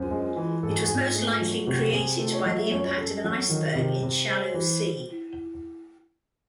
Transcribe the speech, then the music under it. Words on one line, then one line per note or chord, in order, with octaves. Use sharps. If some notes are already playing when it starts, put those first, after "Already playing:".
It was most likely created by the impact of an iceberg in shallow sea.
Already playing: F#2 C5
G#3
E3
G#2 A4
G#4
F#4
G#2 G#4
A3
F#3
C3 F#4
C3 G#4
A3 A4
C#5
F#3 D#5
E5
F#2 C#5
C#5
F#2 A4
A4
F#3
D#3
C3
C3
G#3 C5
E3